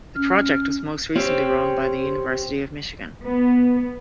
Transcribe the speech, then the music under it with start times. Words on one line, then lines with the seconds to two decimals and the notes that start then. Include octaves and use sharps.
The project was most recently run by the University of Michigan.
0.16 C#4 F6
1.15 C4 C#4 G4 C5
3.25 B3